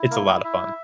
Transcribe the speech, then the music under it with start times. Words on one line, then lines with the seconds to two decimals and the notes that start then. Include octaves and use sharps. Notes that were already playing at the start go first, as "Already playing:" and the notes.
it's a lotta fun.
Already playing: E4
0.11 A#3 A#4
0.27 A#3 A#4
0.44 E4 E5